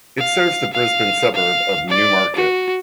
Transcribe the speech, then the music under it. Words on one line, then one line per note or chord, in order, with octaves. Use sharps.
It serves the Brisbane suburb of Newmarket.
F5
F5
F5
D5
F#4